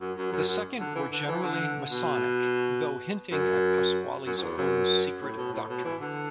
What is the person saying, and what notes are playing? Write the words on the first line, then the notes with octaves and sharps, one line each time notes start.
The second were generally Masonic, though hinting at Pasqually's own secret doctrine.
F#2
F#2
F#2
F#2
D3
E3
D3
E3
D3
B2
F#2
F#2
F#2
E2
F#2
A2
B2
A2
B2
E3
D3